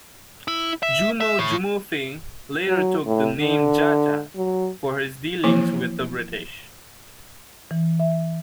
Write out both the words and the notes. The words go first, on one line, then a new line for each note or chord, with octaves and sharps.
Jumo Jumofe later took the name "Jaja" for his dealings with the British.
E4
E5
E5
A2
F#3
A2
D3
F#3
E3 F3 A#3 E4 D6
E3
E5